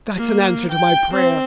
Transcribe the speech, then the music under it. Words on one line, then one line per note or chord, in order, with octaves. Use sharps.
That's an answer to my prayer.
A#3
G5
C4